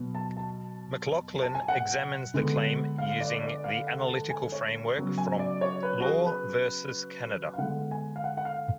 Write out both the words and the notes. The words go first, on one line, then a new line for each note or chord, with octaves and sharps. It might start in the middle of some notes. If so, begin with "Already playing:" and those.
McLachlin examines the claim using the analytical framework from "Law versus Canada".
Already playing: B2 F#3 B3
A5
A5
A5
G#5
F#5
D3 G#3 B3
F5
D5
D5
F5
F#5
A5
G#5
C#5
C#3 F#3 B3
G#5
D5
C#5
B4
F#4
G#4
B4
F5
D3 G#3 B3 F#5
G#5
F5
F#5
F#5
F5